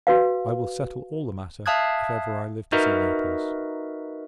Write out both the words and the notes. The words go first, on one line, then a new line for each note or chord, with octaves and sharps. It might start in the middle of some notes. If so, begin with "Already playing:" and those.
I will settle all the matter, if ever I live to see Naples.
F#4 B4 F5
E5 F5 A5 D#6 F#6 G#6
D#4 F#4 A#4 B4 D#5 E5